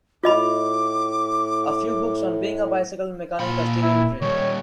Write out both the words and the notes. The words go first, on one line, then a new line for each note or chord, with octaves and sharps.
A few books on being a bicycle mechanic are still in print.
A2 F4 D#5 B5 D6
A#2 F4 B5
E4
D#3 G3 C#5